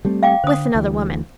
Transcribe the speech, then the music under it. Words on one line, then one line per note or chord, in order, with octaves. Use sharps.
"With another woman."
G3 A3 C4
F5 G5 D6
D3 C5 D#6
D2 E3